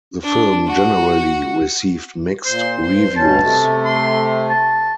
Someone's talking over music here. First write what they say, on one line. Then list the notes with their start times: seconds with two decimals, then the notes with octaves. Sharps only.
The film generally received mixed reviews.
0.23 D4
0.67 F#4
2.46 A#2 C5
2.83 G2 C5
3.16 G2 B2 C#4 A5
3.41 C3 A3
3.85 C6
4.50 A5